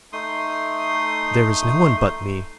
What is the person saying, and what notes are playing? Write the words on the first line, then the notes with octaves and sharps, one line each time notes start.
"There is no one but me."
A3 D#4 C6 D#6